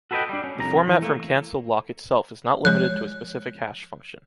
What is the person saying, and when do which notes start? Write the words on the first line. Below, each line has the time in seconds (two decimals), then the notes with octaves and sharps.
The format from "Cancel-Lock" itself is not limited to a specific hash function.
0.11 F#4 A4 B4 C5 D#5 G5
0.29 G3 D4
0.44 C#4
0.59 C2 F2 A#5
0.88 E3
1.02 A3 A#3
2.65 F3 G#3 C#5 F#6